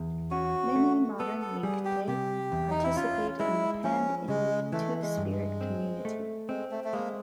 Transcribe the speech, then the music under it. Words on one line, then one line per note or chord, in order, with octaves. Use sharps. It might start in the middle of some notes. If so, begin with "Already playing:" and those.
Many modern "winkte" participate in the pan-Indian Two-Spirit community.
Already playing: E2
C#4 F#4
A3
B3 A4
A4
G3 G#4
G4
C3 G4
E2
D#4
E4
C#4 F4
G#3 E4
F3 C#4
C#3 G#3
E3 A3
G#3
G2
G#3
C4
A3
G#3 C4
A3
A3
G#3 A#3